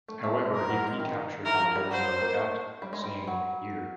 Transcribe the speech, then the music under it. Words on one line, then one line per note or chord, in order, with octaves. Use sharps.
However, he recaptured Oderzo at same year.
A3
A3
G#3
G3 A#4
F#3
G#3
D#3
E3 A#4
F#3
F3
G3
F#3 C5
A#3
A3
G3
G#3
G3
F#3